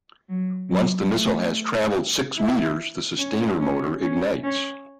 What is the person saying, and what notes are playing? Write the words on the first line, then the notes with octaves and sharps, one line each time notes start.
Once the missile has travelled six meters, the sustainer motor ignites.
F#3
F#3
A3
E4
C#4
C#4
C#4
C#4